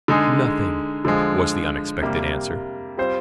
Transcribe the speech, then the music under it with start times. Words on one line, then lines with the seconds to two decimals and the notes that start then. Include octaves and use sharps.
"Nothing," was the unexpected answer.
0.08 D3 G#3 D#4 G#4
1.05 D3 F3 G#3
2.02 C3 G3 A#3
2.97 G3 C4 F4 C5